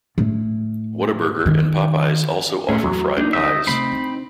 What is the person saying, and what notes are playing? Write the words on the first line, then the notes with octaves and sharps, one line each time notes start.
Whataburger and Popeyes also offer fried pies.
A2
D#3
A2 A3 C#4 G#4
E2 F#3
A#3 D4 D#4
D2 D#4 D#5 E5
C3 A3 C4 B5
D4